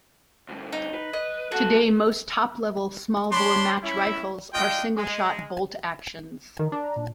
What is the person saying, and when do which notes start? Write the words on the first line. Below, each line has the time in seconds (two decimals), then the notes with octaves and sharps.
Today most top-level smallbore match rifles are single-shot bolt actions.
0.49 D2 G2
0.72 D#4
0.94 B4
1.13 D#5
1.52 B3 F#4 A4
3.32 D4 C#5 B5 C6
3.83 C#4 E4
4.53 G#3 D4 F4 D#5 G5
4.97 G#3
6.59 D#3 A#4
6.72 D4
6.84 A#5
6.96 A#2